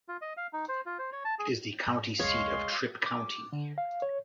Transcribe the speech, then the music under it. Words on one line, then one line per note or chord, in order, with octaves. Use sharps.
It is the county seat of Tripp County.
F4
D#5
F5
D#4
C5
F4
C5
C#5
A5
G#4
G#2
F1 C#2 G#3 C#5 F5 C6
D6
D3
F5
C#5